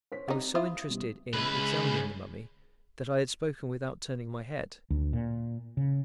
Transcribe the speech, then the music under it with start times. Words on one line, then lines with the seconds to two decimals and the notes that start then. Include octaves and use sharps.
I was so interested in examining the mummy that I had spoken without turning my head.
0.12 C5 C#5 B6
0.28 G3 C4 D#4
0.55 E4 F4 C5 D#6
0.88 B2 G3
1.34 C#2 E4 G#4 B4
4.90 D2
5.13 A#2
5.77 C#3